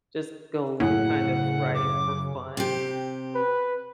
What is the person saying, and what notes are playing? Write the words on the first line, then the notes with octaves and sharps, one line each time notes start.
just go kind of riding for fun,
F#2 A2 C#3 F#5
D6
C3 G4
B4